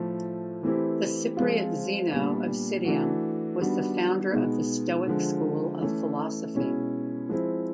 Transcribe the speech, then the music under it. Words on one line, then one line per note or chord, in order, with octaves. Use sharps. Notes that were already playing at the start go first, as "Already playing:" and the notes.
The Cypriot Zeno of Citium was the founder of the Stoic School of Philosophy.
Already playing: A2 F3 A3
E3 A3 C4 E4 G4
F3 G#3 C4 F4
A#2 G3 B3 D4
E3 A3 D4 F#4
D#3 G3 B3 D4 F#4
B2 G#3 B3 D#4
D3 F3 G#3
E3 A3 C#4
B2 G#3 C#4 E4
F3 G#3 C4 E4